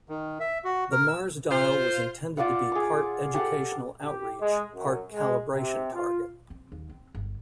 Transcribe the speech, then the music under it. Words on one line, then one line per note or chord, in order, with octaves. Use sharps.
The MarsDial was intended to be part educational outreach, part calibration target.
D#3
E5
F#4
A#4
E6
F4 C5
F4 D5 F5 F#5
G#4 D6
G4 A4 F5 F#5
G4
G#3
F#2
G#3
C3
F4
C4
D#2
C4
G1